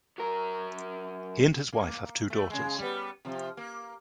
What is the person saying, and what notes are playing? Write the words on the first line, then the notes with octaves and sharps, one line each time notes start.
He and his wife have two daughters.
F#3 A#4
A#3
A3
C#3 G#3
G3 B3
C3 F3
A#3